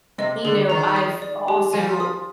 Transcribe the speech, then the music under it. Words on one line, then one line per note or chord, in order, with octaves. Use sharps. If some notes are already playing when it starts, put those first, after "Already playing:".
eh you know, I've also
C3 D#5
D3 G#4
D#3 A#5
D#6
D5
G4
F3 G#5
D#6